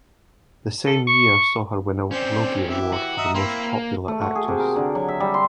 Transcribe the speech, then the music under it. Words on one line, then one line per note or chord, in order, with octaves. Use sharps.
That same year saw her win the Logie Award for "Most Popular Actress".
A4
C#6
C4 C#4 C5 D5
E3 G4 E5
F#4
D#5 E5 A#5
A#3 C4 E4
A3
F#4
G#4
C3
A#4
D3
F#3
E5
G3
C6